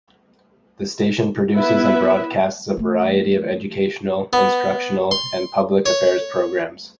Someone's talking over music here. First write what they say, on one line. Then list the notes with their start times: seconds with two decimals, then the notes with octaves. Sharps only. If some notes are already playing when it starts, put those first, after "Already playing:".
The station produces and broadcasts a variety of educational, instructional and public affairs programs.
1.57 B3 E4 B4 E5
2.77 E3 A3
4.33 B3
5.11 C6
5.86 C#5